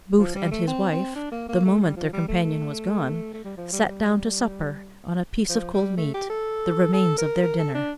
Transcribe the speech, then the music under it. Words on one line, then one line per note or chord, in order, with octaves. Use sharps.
Booth and his wife, the moment their companion was gone, sat down to supper on a piece of cold meat, the remains of their dinner.
F3
G3
A3
C4
C4
D4
A#3
A#3
A3
G3
F3
G3
A3
A3
A3
G3
F3
G3
F3
G3
F3
G3
A3
G4
A4
A4
A#4
A#4
A4
D4